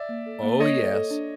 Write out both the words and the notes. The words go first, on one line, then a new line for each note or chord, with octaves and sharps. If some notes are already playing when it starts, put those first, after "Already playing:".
Oh yes.
Already playing: D5 E5
A#3
A4
A#3
A#3 C#5 D#5
A4
A4
D4